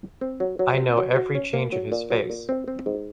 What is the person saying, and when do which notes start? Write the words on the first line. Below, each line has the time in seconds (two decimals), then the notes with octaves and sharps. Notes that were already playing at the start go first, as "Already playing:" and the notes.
I know every change of his face.
0.21 C4
0.40 F#3
0.59 F#3
0.78 C4
0.97 F#3
1.16 F#4
1.35 C#4
1.53 A#3
1.72 F#3
1.92 A#2
2.10 F#3
2.30 A#2
2.49 C4
2.68 C4
2.86 G#2